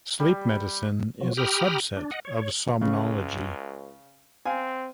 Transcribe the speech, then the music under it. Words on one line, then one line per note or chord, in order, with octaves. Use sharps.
Sleep medicine is a subset of somnology.
G3
F3 F#3
G4 G5 A#5 B5 D#6 F6
D4
D#5 F#5
C#5
C#2 C#3
C4 F5 G#5